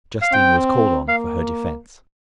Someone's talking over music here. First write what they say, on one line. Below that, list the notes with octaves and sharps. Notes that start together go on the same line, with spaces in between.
Justine was called on for her defence.
F5
C4 G5
A#3 F5